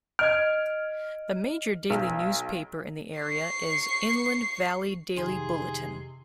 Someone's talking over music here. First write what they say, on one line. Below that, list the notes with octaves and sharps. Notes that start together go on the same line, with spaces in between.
The major daily newspaper in the area is "Inland Valley Daily Bulletin".
D#5 F6 G#6 D7
B1
C#6 C7
F2 C3 D#3 G#4 C6